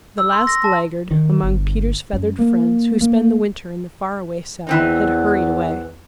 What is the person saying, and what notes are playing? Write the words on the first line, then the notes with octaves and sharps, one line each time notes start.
The last laggard among Peter's feathered friends who spend the winter in the far-away South had hurried away.
E6
C6
A#6
A5
D#3
G1
F#2
A#3
A#3
E2 E3 C4 D#4